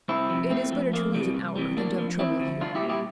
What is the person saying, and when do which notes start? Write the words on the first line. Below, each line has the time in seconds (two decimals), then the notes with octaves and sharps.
"It is better to lose an hour, than to have trouble here."
0.08 C2 C4 E4
0.29 C3 F3
0.50 A2 A3 C4
0.72 F3
0.93 F2 A#3
1.14 C3 E3 G3
1.35 C2
1.56 C3 E3 G3
1.77 A2 A#3 D4
1.98 F3
2.19 E2 C4 E4
2.40 D3 F3
2.61 C2 D4 F4
2.75 E4 G4
2.82 A#2 G3
2.89 E4 G4